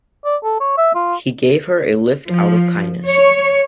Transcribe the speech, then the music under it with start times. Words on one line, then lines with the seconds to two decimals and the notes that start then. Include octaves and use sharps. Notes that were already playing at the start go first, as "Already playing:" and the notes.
He gave her a lift out of kindness.
0.25 D5
0.43 A4
0.60 C#5
0.77 E5
0.95 F4
2.28 F3
3.06 C#5